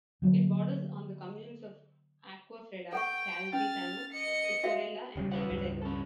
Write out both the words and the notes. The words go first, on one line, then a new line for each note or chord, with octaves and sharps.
It borders on the communes of Acquafredda, Calvisano, Isorella and Remedello.
D3 F#3 A#3
A4 F#5 G5 C#6
C#4 F6 A6
D#5 C#7
F#4 E5 F5
D#1 C#3 G3
E2 B4 F#5
C#2 G2
C#4 A4